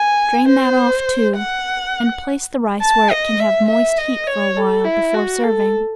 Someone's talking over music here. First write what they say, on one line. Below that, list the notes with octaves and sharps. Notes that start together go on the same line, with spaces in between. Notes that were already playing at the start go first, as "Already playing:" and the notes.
Drain that off, too, and place the rice where it can have moist heat for a while before serving.
Already playing: G#5
C5
F#5
A5
D#5
E5
E5
D#5
C#5
A4
E4
F#4
A4